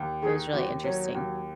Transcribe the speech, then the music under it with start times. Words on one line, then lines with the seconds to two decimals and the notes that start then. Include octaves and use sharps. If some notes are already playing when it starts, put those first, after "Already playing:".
it was really interesting.
Already playing: D#2
0.22 D#3 G#4
0.53 D#2 F#4
0.84 F#3 C#5
1.15 D#2